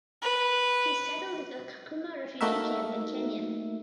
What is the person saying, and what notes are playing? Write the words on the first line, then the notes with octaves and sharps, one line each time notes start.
He settled at the Kakuma Refugee Camp in Kenya.
B4
A3 A#3 D#4 F#4 A#4 E5